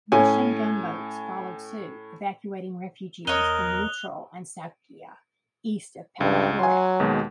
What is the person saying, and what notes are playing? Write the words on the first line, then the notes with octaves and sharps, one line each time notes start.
Russian gunboats followed suit, evacuating refugees from Loutro and Sougia, east of Paleochora.
A2 C#4 G#5
E2 A#4 C#5 D#5 F#6 F7 G7
C#2 G2
F#3 G#5 C6
D#2 B2 G#3